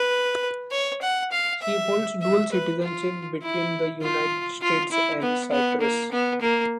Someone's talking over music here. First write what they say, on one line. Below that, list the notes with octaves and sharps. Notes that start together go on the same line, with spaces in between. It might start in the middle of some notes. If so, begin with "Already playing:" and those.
She holds dual citizenship between the United States and Cyprus.
Already playing: B4
C#5
F#5
F5
E5
E5
B4
F4
E4
F4
F4
E4
B3
B3
A#3
B3
A#3